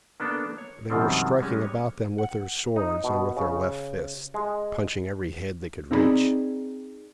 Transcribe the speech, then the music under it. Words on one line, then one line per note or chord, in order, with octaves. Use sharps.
They were striking about them with their swords and with their left fists, punching every head they could reach.
A#3 B3 D4 A4
C#5
F#2 B2 D#3 F3 G3 C4
G3 G#3 C#4 G#5
C#5
F#5
D#4
B2
C#3
G#3
C4 D#4 E4 G#4 D5 B5